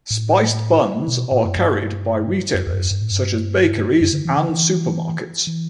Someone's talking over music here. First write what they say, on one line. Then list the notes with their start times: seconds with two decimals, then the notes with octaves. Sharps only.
Spiced buns are carried by retailers such as bakeries and supermarkets.
0.11 A2
1.08 B2
1.32 A2
1.45 F#2
1.57 G2
2.54 F#2
2.67 E2
2.73 G2
2.78 F#2
2.91 G2
3.01 A2
3.11 G2
4.01 F#2
4.13 D3
4.25 E3
4.37 D3
4.49 E3
5.47 E3